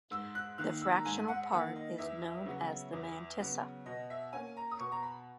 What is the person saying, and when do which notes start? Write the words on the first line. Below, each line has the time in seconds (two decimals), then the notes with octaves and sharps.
The fractional part is known as the mantissa.
0.11 G#2 E6
0.35 F#6
0.58 D#3 A#3 F#6
0.82 E6
0.95 A#5
1.05 G#2 G#5
1.28 F#5
1.52 D#3 A#3 F#5
1.76 D#5
1.98 E2 E5
2.46 C#3 F#3 B3
2.93 E2
3.40 C#3 F#3 B3
3.86 B2 D#5
4.10 E5
4.33 A#3 C#4 G#5
4.57 A#5
4.71 D#6
4.79 B2 C#6
4.92 A#5
5.03 B5